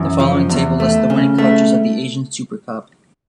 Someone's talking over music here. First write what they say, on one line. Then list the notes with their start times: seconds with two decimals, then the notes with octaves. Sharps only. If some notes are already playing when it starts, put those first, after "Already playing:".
The following table lists the winning coaches of the Asian Super Cup.
Already playing: F#2 E3
0.20 F3
0.49 E2
0.80 A3
1.10 C#3
1.38 A3